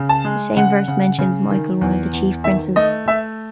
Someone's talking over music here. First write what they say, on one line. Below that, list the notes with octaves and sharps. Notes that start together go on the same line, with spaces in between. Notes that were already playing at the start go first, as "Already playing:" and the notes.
The same verse mentions "Michael, one of the chief princes".
Already playing: C#3
A5
G#3
C#3 F#5
C#3
C#3
D#3
E2
E2
D#3 E5
A3 D#5
A3 E5